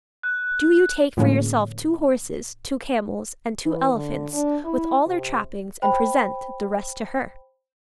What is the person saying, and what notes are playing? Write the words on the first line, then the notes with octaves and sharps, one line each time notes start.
Do you take for yourself two horses, two camels, and two elephants, with all their trappings, and present the rest to her.'
F#6
A2 D3 F3 G#3 A#3 C#4
E3
D3
D4
E4
C3
C5 G5 B5